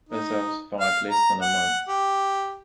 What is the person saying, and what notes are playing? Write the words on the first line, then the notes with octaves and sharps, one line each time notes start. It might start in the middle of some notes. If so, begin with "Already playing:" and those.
Bassal survived less than a month.
D#4
F5
A#5
F#5
G4